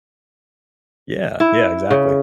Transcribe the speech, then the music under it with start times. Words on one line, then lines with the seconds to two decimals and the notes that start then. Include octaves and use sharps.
Yeah, yeah, exactly.
1.40 E4
1.91 C#3